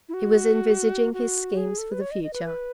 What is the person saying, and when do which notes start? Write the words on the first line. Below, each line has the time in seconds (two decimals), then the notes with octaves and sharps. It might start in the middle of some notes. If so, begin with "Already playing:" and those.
He was envisaging his schemes for the future.
0.09 E4
0.14 F#4
1.13 F#4
1.57 G#4
1.78 A4
1.91 B4
2.01 C#5
2.11 D#5
2.23 D#5
2.33 B4
2.45 B4